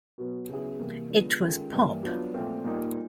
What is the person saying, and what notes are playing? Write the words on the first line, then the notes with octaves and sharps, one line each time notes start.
It was pop.
B2 F#3 B3
C#3 F#3 B3 E4 G#4
C3 E3 G3 A#3
D3 F3 G#3 B3
D#3 G#3 C#4 F4 A4
G2 E3 G3 A#3
F#3 B3 D4 F4
A#2 F3 A3 C4 F4
A#2 G3 A#3 D#4